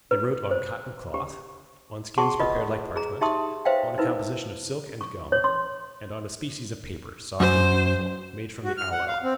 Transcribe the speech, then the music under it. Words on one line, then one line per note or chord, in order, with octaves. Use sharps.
They wrote on cotton-cloth, on skins prepared like parchment, on a composition of silk and gum, and on a species of paper, soft and beautiful, made from the aloe.
B4
C5
G4
G#4 F#5 A5 C6 C#6
F4 B4 D#5 D#6
G#4 A#5
D#4 G4 E5 A5 C6 D#6
B4 C5 E5 F5 G5
D#4 E4 A#4 B4
C#6
C#5
C6
F#2 C5
F#4
F6
F#5
F5
C4